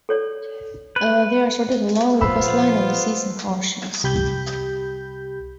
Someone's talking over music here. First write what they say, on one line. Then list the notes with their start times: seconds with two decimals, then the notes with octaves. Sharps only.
They are sorted along the coastline of the seas and oceans.
0.09 A4 C#5 D5
0.96 B4
2.21 A#2 F3 B3 F4 C5 B5 E6
4.04 C2 G4 B5 G6